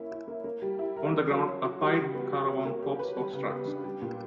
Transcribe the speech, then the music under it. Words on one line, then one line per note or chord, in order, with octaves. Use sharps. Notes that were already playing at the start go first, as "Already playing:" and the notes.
On the ground, a pied currawong hops or struts.
Already playing: A#3 C#4 E4
E4
A#3
A#3
G3
E4
A#4
A#3
F#3
C#4
F#4
G3
C#3
B3
F#4
C#4
A#3
G4
B4
G3
C#3
B3
D4
G3
A#2